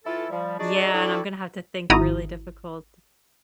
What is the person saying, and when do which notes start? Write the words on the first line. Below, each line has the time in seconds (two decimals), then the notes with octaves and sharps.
yeah, and I'm gonna have to think really difficult.
0.05 E3 E4 F4 A4
0.30 F3 G3
0.59 D4 D#4 F#4 G#4 D5
0.93 G3 D4 E4 F#4 A4
1.90 G#1 D#3 E4 F#4 A#5 D#6